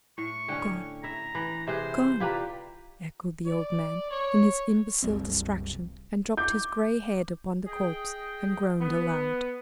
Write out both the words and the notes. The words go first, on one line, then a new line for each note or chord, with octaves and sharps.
"Gone! gone!" echoed the old man, in his imbecile distraction, and dropped his gray head upon the corpse, and groaned aloud.
A2 C#6
D3 C#4 D4 G5
E4 E5 A#5
E3 B5
C3 G#4 B4 C5 E5
E4 F4 G4 B4 D5 A#5
D5
C#5
F#1 C2 G3 C4
D6 G6
G#4 D#5 G5
B3